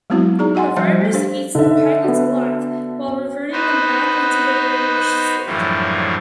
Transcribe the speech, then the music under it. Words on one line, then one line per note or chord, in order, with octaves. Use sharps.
The virus eats the Pilots alive while reverting them back into their brainwashed state.
F#3 G#3 B3 C4 E4 F#4
D#4 G#4 D5 A#5
F#4 D#5 F#5 G#5 C6
F3 G3 C5 D#5 A5
A3 A4
D4 G4 C5 F5
D3 D#4 E5
B3 F#4
B3 D#4 F#4 B4 C5
F#2 A2 D3 E3 F3 G3